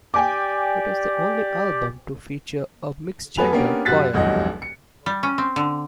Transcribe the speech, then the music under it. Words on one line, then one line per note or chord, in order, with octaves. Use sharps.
It is the only album to feature a mixed-gender choir.
G4 D5 G5 G#5 D6
F1 B3 A4 B4 G#5 F7
A#3 B3 C#4 D4 G4 A#4
F#2 C3 F#4 F#6 A6 B6
F1 B1 E2 G2 F#3 D#5
C#7
G3
C#4
C4
D3